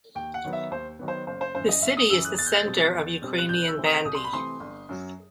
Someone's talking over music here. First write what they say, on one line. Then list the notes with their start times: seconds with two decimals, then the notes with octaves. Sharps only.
The city is the centre of Ukrainian bandy.
0.15 D#2 G5
0.34 F#5
0.44 D#3 F#3 B3
0.53 E5
0.71 D#2 C5
0.99 D#3 F#3 B3
1.08 C5
1.27 F#1 C5
1.41 C5
1.55 F#2 E3 C5
1.69 D#5
1.82 F#1 E5
1.97 D#6
2.10 F#2 E3 E6
2.25 F#6
2.39 E2 A6
2.46 G6
2.56 A6
2.66 B2 G3 C4
2.94 E2
3.22 B2 G3 C4
3.38 F#6
3.49 C2 G6
3.68 E6
3.77 C3 E3 A3 C4
3.86 D#6
4.05 C2 D#6
4.15 C6
4.24 B5
4.32 C3 E3 A3 C4 C6
4.60 G1
4.89 F#2 F#3